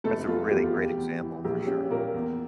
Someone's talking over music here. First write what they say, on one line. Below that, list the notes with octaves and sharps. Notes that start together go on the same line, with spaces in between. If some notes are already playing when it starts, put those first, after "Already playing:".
That's a really great example for sure.
F1 A3 A4
A3 F4
E2 G4
F4
E2 G4
E2
E3
A#1 G4
C#4 G4
A#2 A#3 A#4
E2